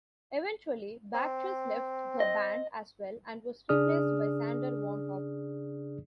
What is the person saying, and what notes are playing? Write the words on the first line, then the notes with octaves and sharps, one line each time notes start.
Eventually Bagchus left the band as well and was replaced by Sander van Hoof.
C4
D#5
C#3 D4 G#4 D5 D#6 F6